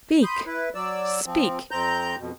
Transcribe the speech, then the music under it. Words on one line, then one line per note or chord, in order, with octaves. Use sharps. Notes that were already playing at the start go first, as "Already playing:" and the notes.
Speak, speak!
B5 C6 D#6 G6
E4 B4
F#3 D5 E6
F3 C4
F2 C4 A#5 G6
F2 B2